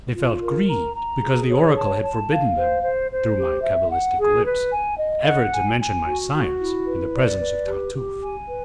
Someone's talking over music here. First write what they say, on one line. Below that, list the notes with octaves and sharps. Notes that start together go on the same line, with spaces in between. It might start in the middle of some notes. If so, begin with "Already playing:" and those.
They felt grieved because the oracle had forbidden them, through my cabalistic lips, ever to mention my science in the presence of Tartufe.
F4
A#4
A#5
A#5
G#4
C#5
A5
A5
F5
C5
C5
C5
G4
E5
F#5
G#4
B4
G#5
D#5
F#5
G#5
G#5
F#4
F#4
E4
B4
D5
B4
G4
G4
G#5
B4